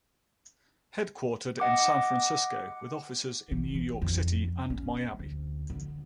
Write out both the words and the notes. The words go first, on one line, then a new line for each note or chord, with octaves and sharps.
Headquartered in San Francisco, with offices in New York City and Miami.
D#5 F#5 D6
E3
E3
F2
C#4
D2
D3